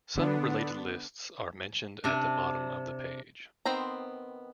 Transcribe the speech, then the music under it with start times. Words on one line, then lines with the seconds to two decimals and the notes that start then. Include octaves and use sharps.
Some related lists are mentioned at the bottom of the page.
0.14 D3 B3 D4
2.04 C3 D4
3.65 D#3 B3 C4 C5 A#5